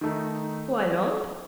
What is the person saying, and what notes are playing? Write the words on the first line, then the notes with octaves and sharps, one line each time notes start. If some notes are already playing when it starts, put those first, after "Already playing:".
"Why not?"
D#3 A3 D#4